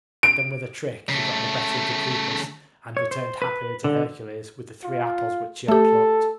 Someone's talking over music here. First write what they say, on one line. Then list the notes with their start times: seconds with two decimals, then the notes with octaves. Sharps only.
Then with a trick he got the better of the keepers, and returned happily to Hercules with the three apples which he had plucked.
0.23 D7
1.09 C#3 A3
2.97 C#5
3.11 C5
3.42 B4
3.84 D3
4.84 F4
5.68 A3 G4 A4